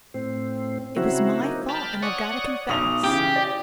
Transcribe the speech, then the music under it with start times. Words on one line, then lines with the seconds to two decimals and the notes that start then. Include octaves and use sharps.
It was my fault and I've got to confess.
0.14 A2 C4
0.97 C#3 F#3 C4 E4 F#4
1.42 A#3 D#4
1.69 G5 A5 B5 F6
2.03 C#5 D5 F#5 C#6 D#6
2.69 B1 D#6 F7
3.04 C#3 E3 G4
3.36 D5